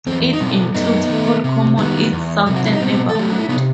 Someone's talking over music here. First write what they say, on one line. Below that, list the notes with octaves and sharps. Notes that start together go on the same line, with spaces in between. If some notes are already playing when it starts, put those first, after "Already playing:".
It includes Pot Common its southern neighbourhood.
E2 C4
D#4
B2 G3 C4
F#2 B3 D#4
D#3 A3
C3
D#3 G3 B3
E2
C3 F#3
F#4
E4
D#4
B2 C4
A4
F#3 A3 G4
F#4
E4
C3 B3 D#4